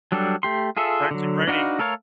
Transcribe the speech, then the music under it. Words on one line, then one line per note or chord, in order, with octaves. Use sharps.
actually raining
F#3 G3 D4 G4 A4
A3 G4 C6
F4 G#4 A4 E5
D3 F#3
D4 D#4 F#4 B4 F5
A3 A4 A#4 C#5 F5